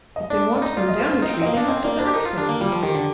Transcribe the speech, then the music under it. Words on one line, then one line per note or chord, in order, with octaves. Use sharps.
If they want to come down a tree they have to back down.
D#5
D4 D5
D5
D#4
F4 D5
D#5
F4 C5
F4 C5
D#4 D#5
C4
A#3 D#5
F5
D4
C4 D#5
A#3 D5
D4 C5
D#4 A#4
F4
D4 G4
A#3
G3 F4
F3
D#3 G4
D3